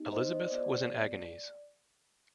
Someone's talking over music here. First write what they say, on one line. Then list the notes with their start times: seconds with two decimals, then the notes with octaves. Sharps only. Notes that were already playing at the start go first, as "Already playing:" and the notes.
Elizabeth was in agonies.
Already playing: B3 D#4 G4
0.12 C5 D#5
0.32 D#5
0.40 D5
0.48 C5
0.51 B3 F4 G#4 D5